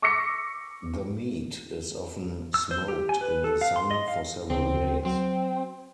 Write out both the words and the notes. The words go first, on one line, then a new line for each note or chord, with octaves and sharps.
The meat is often smoked in the sun for several days.
C#6 D6 E6 A#6 B6 C#7
E6
C5
G4
G#5
B4
A4
F5
C6
D#5
F5
D2 C#3 C4
F#3 C4